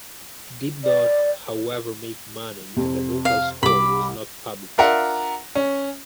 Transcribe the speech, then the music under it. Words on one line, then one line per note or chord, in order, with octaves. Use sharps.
It did not however make money and the vocal score was not published.
D5
F2 C3
F5
C2 G3 B5 D6
D4 F4 A#4 E5 F#5
C#4